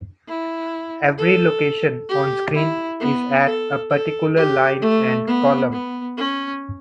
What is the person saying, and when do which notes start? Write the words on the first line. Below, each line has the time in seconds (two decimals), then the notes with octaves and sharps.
Every location onscreen is at a particular line and column.
0.28 E4
1.18 A4
2.09 G4
2.55 E4
3.00 B3
3.45 A4
3.90 A4
4.36 G4
4.81 A3
5.27 B3
5.72 B3
6.18 C#4